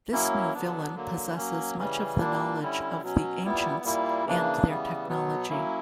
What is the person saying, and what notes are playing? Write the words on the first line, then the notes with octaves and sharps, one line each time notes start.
This new villain possesses much of the knowledge of the Ancients and their technology.
F#3 A#3 C#4 E4
D3 F#3 B3 D4
D3 F#3 A#3
F#3 A#3 C#4
C#3 E3 G3 C#4
A#2 G3 A#3 D4
D3 G3 C#4 E4
B2 F#3 C#4
A#2 G3 B3 E4
A#2 G3 A#3 E4
C#3 E3 A#3 D4
C#3 E3 G3 B3
B2 F#3 B3
F#3 A#3 C#4 E4